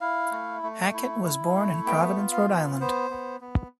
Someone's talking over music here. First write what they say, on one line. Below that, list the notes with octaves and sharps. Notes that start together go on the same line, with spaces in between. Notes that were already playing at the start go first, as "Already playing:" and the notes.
Hackett was born in Providence, Rhode Island.
E4 F5
A3
A3
E4
E4
A3
B3 G5
F4
F5
B3
B3 C5
B3
B3